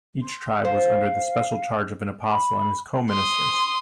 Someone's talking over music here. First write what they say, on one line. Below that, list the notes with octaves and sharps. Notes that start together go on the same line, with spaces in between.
Each tribe was under the special charge of an apostle and his co-ministers.
C6
C5 F5
B5
C6 D#6